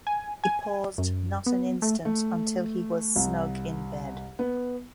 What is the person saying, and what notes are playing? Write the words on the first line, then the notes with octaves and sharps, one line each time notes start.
He paused not an instant until he was snug in bed.
G#5
G#5
F#2
B3
A3
A3
C2
B3